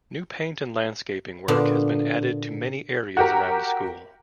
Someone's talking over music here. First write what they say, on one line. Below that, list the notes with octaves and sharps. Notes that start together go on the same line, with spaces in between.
New paint and landscaping work has been added to many areas around the school.
A#2 D3 B3 D4
F#4 G4 A#4